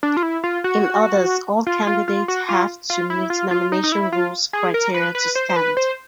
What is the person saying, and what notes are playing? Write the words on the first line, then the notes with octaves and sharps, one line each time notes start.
In others all candidates have to meet nomination rules criteria to stand.
D4
F4
E4
F4
F#4
F4
F4
F4
F#4
F4
F4
E4
F4
F4
D#4
D#4
E4
F4
G#4
A#4
B4
B4
C5
C5
B4
C5